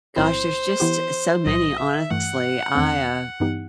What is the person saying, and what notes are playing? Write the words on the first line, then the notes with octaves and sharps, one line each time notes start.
Gosh, there's just so many, honestly. I, uh,
B1 A2 F#3 C4 E4 C5
E3 B3 E4 G4
B1 A2 F#3 D#5
E5
G2 E3 A3 F#5
E2 D#3 A3 C4
G2 E3 B3 D#4 G4